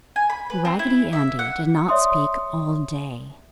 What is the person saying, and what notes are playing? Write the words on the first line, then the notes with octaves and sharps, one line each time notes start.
Raggedy Andy did not speak all day.
G#5
B5
B4
C4
E4
E5
F#5
C#5 D5 E5 C6 D#6